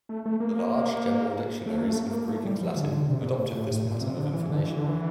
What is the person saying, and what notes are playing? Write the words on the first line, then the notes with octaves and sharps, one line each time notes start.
The large general dictionaries of Greek and Latin adopted this pattern of information.
A3
A3
A#3
A3
A#3
A3
A#3
A3
G3
F3
D3
D3
D3
C3
A#2
A2
A#2
A2
A2
A#2
C3
D3
E3
D3
E3
D3
E3